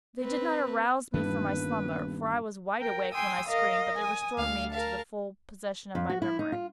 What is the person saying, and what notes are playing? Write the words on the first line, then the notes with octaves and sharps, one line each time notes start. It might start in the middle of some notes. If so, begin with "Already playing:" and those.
They did not arouse me from my slumber--for I was wide awake when I screamed--but they restored me to the full possession of my memory.
C4 B4
D#1 G2 D#3 E3 B3 B4
A#4 G5
G5 G#5 C6 D#6 E6
A#4 D#5 F5
G#5 D#6
D2 F5
A#4 F5 A5
F2
F#4
E4
D#4
F4